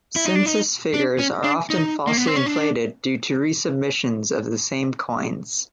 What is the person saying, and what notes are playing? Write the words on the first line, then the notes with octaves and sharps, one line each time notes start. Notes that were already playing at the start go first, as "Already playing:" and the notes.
Census figures are often falsely inflated due to resubmissions of the same coins.
E4
D#4
D4
D#4
D4
C#4
D4
D#4
A#3
B3
C4
C#4
D4